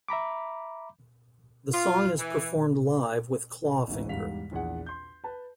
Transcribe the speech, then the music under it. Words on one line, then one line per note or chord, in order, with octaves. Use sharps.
The song is performed live with Clawfinger.
E5 A#5 B5 D6
F4
E3
A1 D2 G#2 E3
E2 G#2 G3 F5 B6 F7
A#1 E2 G#4 F#5
C6 G6
B4 A5